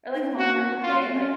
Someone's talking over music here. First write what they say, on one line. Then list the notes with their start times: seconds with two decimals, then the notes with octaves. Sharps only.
Or, like, Hometown Buffet, like
0.15 D#4
0.22 C#4
0.30 C4
0.37 A#3 F#4
0.84 C#4 F4
0.99 C4
1.14 C#4